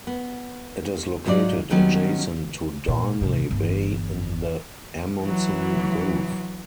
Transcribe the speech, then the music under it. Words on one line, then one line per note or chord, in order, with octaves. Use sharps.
It is located adjacent to Darnley Bay, in the Amundsen Gulf.
B3
G#2 F#3 F4 A#4 D5
D#3 F#3 G3 B3 C#4
A#2
C2 G#2
G1 E3
E3 F#3